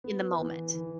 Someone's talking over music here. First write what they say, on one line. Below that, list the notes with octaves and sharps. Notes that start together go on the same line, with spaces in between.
in the moment.
B3
E3
E3